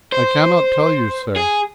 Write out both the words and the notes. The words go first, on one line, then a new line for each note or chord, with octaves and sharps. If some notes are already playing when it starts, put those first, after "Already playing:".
"I cannot tell you, sir."
C5
G#4